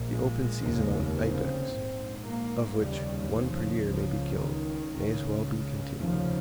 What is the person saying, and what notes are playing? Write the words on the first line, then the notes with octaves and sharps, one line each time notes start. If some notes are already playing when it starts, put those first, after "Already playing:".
The open season on "ibex," of which one per year may be killed, may as well be continued.
Already playing: A#1 A#2
G#3
F1 D#2 C#3
C4
A#1 G#2
A#3
F1 D#2 C#3 G3
F3
C#2 C#3 F3
D#3
C#2 C#3
F1 D#2 C#3 F3